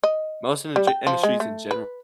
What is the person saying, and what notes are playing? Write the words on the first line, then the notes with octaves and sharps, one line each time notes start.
most indu industries in general.
D#5
G3
G5
F3
G#3
A3
B4